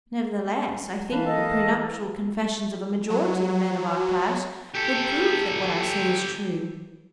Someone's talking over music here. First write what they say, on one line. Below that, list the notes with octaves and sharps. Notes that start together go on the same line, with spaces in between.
"Nevertheless, I think the pre-nuptial confessions of a majority of men of our class, would prove that what I say is true."
E3 A#3 B4 F5 A5
A4 D#5
F#3
G4 A4